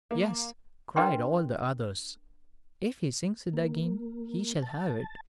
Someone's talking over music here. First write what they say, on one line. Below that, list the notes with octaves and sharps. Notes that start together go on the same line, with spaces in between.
"Yes," cried all the others, "if he sings it again, he shall have it."
A#3
D4 A#4 B4 D#5 G5 C6
A#3
A5